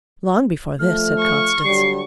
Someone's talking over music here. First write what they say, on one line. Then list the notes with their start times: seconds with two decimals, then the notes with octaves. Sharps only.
"Long before this," said Constance.
0.79 F3 A3 F6
1.19 C#6
1.65 D3 F#3 G3 C7